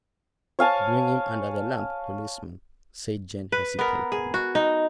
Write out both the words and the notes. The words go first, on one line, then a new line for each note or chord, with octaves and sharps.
"Bring him under the lamp, policeman," said Jane, hesitating.
C#5 F5 G#5 A5
B4
B3 A#4
G#4
F#4
D#4